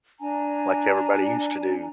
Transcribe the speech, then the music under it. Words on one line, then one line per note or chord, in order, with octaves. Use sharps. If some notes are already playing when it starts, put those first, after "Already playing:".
like everybody used to do.
D4 G#5 A#5